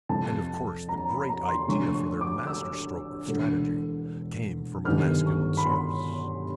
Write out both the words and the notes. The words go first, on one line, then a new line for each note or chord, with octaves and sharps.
And of course the great idea for their master-stroke of strategy came from a masculine source.
F2 C3 F3 A5
A#5
B5
A#5
C6
D2 D3 F3 A3 C#4 C#6
C#6
D6
E6
E1 D2 D3
G1 F#2 D#3 G3 B3 F6
C#6
B5
C6